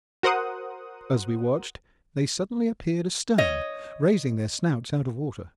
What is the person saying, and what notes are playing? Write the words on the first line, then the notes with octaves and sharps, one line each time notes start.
As we watched, they suddenly appeared astern, raising their snouts out of water.
F#4 A#4 C5 F#5 D#6
C#5 D#5